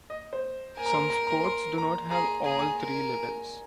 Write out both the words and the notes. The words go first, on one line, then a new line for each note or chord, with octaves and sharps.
Some sports do not have all three levels.
D#5
C5
A#4 G#5
A#5
C6
A#5
A#5
C6
A#5
G#4 A#5
G#4 G#5
A#5
G#5
A#4